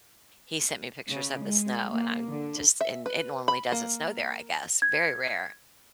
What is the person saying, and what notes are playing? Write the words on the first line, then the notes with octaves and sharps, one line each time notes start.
he sent me pictures of the snow and I'm just and it normally doesn't snow there, I guess, very rare.
C#3
G#3
A#3
D3
E5
B4
B5
A#3
G#6